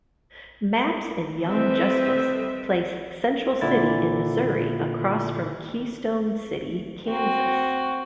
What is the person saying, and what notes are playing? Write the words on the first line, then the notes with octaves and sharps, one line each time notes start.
Maps in Young Justice place Central City in Missouri across from Keystone City, Kansas.
G3 C4 A4 B4 D#5 E5
A#2 D3 E4 A6
C4 F#4